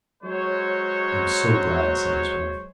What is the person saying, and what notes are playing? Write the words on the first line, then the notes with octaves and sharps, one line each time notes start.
"I am so glad," said his wife.
F#3 G#3 C5 C#5